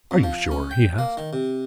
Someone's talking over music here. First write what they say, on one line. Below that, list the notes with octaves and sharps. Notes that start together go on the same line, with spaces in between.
"Are you sure?" he asked.
F2
F3
C#4
G5
A#3
D#3
C3